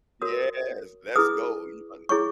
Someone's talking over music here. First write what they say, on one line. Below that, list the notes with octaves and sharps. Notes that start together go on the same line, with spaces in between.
Yes. Let's go. You hu
F#4 A#4 C#5 D#6
E4 G#4 B4 D#6
E4 G#4 C#5 C#6